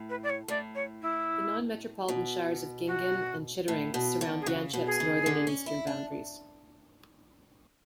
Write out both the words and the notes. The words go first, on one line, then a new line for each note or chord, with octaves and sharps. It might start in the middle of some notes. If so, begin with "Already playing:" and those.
The non-metropolitan Shires of Gingin and Chittering surround Yanchep's northern and eastern boundaries.
Already playing: A2
B4
D5
C#5
A2 D5
C#5
E4
B2
F#4
A2
B2
D3
G#4
C#3 F#4
B2
G#4
C#3
D3
C#4
E4
D4